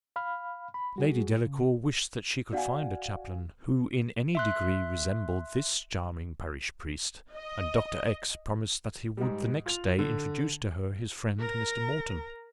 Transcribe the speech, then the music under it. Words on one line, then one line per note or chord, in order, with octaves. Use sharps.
Lady Delacour wished that she could find a chaplain, who in any degree resembled this charming parish priest, and Dr. X----promised that he would the next day introduce to her his friend Mr. Moreton.
F5 B5 F6
B5
G3 F#4 G#4
C#3
F#4 D5 F5 F#5 G#5
E5 C6 F#6
D#5
G#2 G3
F4 F7
D3
A#4 A#5